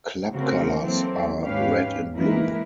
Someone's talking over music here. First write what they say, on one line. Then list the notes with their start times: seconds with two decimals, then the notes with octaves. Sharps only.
Club colours are red and blue.
0.32 C#3 A3 C4 F#4 A#4
0.80 E3 F#3 A#3 C4 A4
1.45 D#2 G#2 C#4 G4 B4 F5
2.13 E3 G#3 A#3 E4 A#4 B4